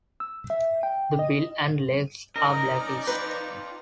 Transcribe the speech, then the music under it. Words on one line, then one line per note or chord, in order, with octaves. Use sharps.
The bill and legs are blackish.
E6
E5
G5
D#5
C#4 D#4 A#4 D5 D#5 A#5
F4 B4 G5